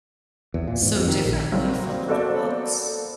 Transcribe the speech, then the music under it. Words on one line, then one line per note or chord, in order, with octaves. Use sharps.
so differently from in the books.
E2
A#2
G#2
F2
D#3
A#1
F#3 G3 A#3 C4 F#4
A#3 B3 F#4 A4 C5 D5